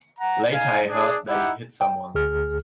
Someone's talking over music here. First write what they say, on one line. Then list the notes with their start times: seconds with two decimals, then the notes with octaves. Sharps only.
Later I heard that he hit someone.
0.19 F#5 A#5
0.54 D#4 F5 G#5
0.90 D4 G#4
1.28 D#4 E4 G4 F#5
1.81 G5
2.15 D2 G#4 F6